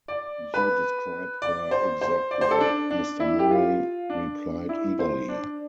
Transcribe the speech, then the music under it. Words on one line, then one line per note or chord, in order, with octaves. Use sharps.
"You describe her exactly," Mr. Murray replied eagerly.
D5
B4
D5
C5
C5
D5
C5
A4
D4
D4
E4
G4
F4
D4
E4
C5
D4